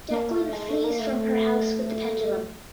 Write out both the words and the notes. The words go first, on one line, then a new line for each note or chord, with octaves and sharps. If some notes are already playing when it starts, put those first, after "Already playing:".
Declan flees from her house with the pendulum.
A#3
A3
G#3
A3
A#3
A3